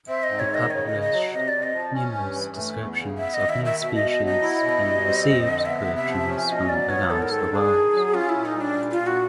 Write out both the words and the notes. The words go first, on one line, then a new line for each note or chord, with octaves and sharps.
He published numerous descriptions of new species and received collections from around the world.
C4 E5
D#5
G#2
C#5
D#3 D#5
C#3 C#5
C#3 D#5
D#5
F#3
C3 D#5
C3 D5
D#5
F3
C#4
G2
E3
A3
E2
C#3
B3 E5
D#2 D#5
E5
D#3
E5
B2 E5
D#5
B2
D#5
F#3 D#5
E4
B2
G3
C4
F2
D3
B3 E5
C3
E5
F3
C#4
B2 D#5 E5
F#3 D5
B3 C#5
G#2 A4
A#4
D#3 A4
D4 G#4 A4
D#3
F#3
C#4 F4
E4
A#2
D#4
G3
D4
A#2
F4
A#2
F#4